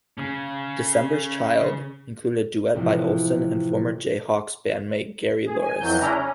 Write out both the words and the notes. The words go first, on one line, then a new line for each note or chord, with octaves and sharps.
"December's Child" included a duet by Olson and former Jayhawks bandmate Gary Louris.
C#3 C#4
A2 C3 E3 F3 C4
G#4
G#5
F2 E3 F#3 G6
C#3 C#4 D4 E4 A#5
C#4